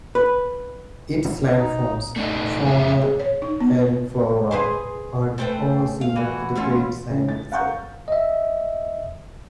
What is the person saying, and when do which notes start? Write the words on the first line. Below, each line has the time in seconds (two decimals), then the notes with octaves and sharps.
Its landforms, fauna and flora are all similar to the Great Sandy Desert.
0.15 B4
1.56 D#4
2.16 A3 D4 D#4
2.63 F2 C#3 G#4 E5
3.02 G#4
3.20 C#5
3.42 D#4
3.60 B3
3.80 B4
4.51 G#4 B4 C5
5.38 A3 A4 B4 C5 G5
6.01 F5
6.16 E3 F#4
6.55 A3 C#4 F4
7.10 C#3
7.29 A6
7.52 F5 F#5 A#5 C#6 G6
8.08 D#5 E5